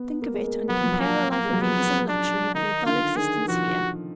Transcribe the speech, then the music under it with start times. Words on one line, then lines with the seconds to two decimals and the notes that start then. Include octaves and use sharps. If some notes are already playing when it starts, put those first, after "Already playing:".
Think of it, and compare a life of ease and luxury with your dull existence here.
Already playing: B3
0.22 A#3
0.34 G#3
0.45 A#3
0.69 F#3 B3
0.81 F3
0.92 F#3
0.99 A#3
1.32 A#3
1.45 G#3
1.53 F#3
1.62 F3 B3
2.09 D4
2.55 D#3 D#4
2.86 D3 F4
3.17 D#3 G#4
3.48 F3 F#4